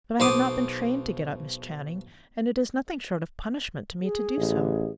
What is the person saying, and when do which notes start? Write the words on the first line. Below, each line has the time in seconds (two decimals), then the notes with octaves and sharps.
"But I have not been trained to get up, Miss Channing; and it is nothing short of punishment to me to do so."
0.20 B1 C5 D6 D#6
4.02 G#4
4.37 A1